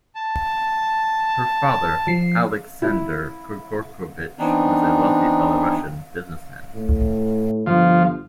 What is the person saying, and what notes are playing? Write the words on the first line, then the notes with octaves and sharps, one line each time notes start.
Her father, Aleksandr Grigorovich, was a wealthy Belarusian businessman.
A5
F3 C7
E4
E3 B3 C4 D4 D#4
A2
G1 F3